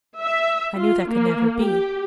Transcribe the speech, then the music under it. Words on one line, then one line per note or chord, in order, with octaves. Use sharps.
I knew that could never be.
E5
F4
A#3
G4